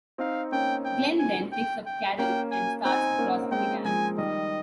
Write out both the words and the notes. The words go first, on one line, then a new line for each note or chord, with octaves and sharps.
Glenn then picks up Carol and starts across the dam.
C4 D#4 F5
A#3 C#4 G5
G5
G#5
G5
G5
A#3 C#4 G5
G#5
C4 D#4 G#5
A#3 C#4
G#3 C4 G5
F3 G#3 G#5
D#3 G3 D#5